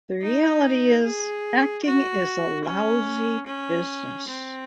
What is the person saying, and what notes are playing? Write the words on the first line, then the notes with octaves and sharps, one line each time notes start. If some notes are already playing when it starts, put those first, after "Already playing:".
The reality is, acting is a lousy business...
D#4
G#4
F#4
C#4
C#4
C4